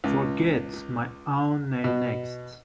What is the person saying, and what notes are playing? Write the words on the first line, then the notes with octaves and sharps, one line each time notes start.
Forget my own name next.
C#2
B2